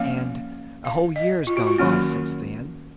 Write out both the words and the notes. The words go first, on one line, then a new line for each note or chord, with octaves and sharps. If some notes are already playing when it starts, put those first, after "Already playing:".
And--a whole year's gone by since then.
Already playing: F3 A#3 C#4 F5
F5
D#5
F4
F#4
F4
D#3 F#3 A#3 C#4